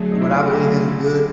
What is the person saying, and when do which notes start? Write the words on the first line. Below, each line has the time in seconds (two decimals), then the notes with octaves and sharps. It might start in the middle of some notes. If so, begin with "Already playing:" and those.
What I believe in is good
Already playing: D3 F#3 A3 G#4
0.12 D#4
0.22 E4
0.31 F4
0.41 F#4
0.50 G4